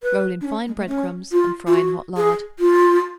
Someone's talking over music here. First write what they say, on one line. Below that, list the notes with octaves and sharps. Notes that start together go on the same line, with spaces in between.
Roll in fine bread-crumbs and fry in hot lard.
B4
D4
C#4
G#3
A3
C#4
F4
F4
F#4
G#4
F4